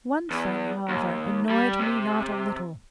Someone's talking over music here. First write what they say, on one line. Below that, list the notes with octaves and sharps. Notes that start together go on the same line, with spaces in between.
One thing, however, annoyed me not a little.
E2
D#2
G3
C3